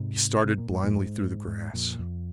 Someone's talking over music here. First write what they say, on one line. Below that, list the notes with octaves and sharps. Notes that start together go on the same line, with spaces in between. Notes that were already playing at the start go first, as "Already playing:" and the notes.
He started blindly through the grass.
Already playing: G#2 C3
C3
A#2
G#2
F2 A#2
G#2
G#2
F2 A#2
F2